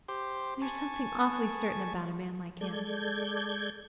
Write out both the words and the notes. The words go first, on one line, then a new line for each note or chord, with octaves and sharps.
There is something awfully certain about a man like him.
G4 C5
G#5 A5 C#6
G#3 A4 D5 G6 G#6